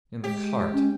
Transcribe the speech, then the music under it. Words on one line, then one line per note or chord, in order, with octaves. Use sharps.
In the cart.
G#3 G4
C#4